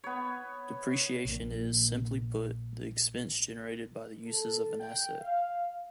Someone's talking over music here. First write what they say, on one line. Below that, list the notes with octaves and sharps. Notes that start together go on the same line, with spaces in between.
Depreciation is, simply put, the expense generated by the uses of an asset.
B3 C#5
A#1 A#2
A4
G5
F5